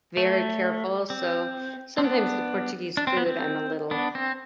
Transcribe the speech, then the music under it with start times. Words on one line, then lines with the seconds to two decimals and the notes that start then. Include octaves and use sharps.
very careful. So sometimes the Portuguese food, I'm a little
0.17 A3
1.10 C4
1.98 C4
2.04 B3 D4
2.97 D4
3.07 C4
3.17 B3
3.26 C4
3.91 B3 D4
4.15 C4